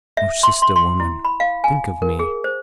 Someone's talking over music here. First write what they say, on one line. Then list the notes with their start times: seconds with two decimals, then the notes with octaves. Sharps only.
O sister-woman, think of me.
0.17 E5
0.43 C6
0.62 C6
0.76 C6
1.00 E4
1.25 B5
1.40 F5
1.64 G#5
2.02 A#4
2.19 G#4
2.44 C5